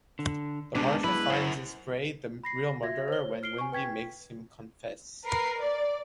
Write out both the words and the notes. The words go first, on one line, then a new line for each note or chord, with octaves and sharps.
The marshal finds in Spray the real murderer when Windy makes him confess.
D3
G#2 C3 G#3 B3 D4
E4 B4
F#2 C5
B5 A#6 C7
F#4 E5 G#6 A#6
C5 C#5 G7
F6 C7 D7 G7
G#5 C#6
B4 G5 G#6 B6
A#4 B4 C7
D5